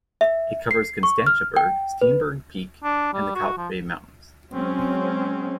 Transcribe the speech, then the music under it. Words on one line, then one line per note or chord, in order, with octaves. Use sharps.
It covers Constantiaberg, Steenberg Peak and the Kalk Bay mountains.
E5
C7
C#6
F6
G5
B4
D4
G3
F#4
F3
F#3 G#3 C4 C#4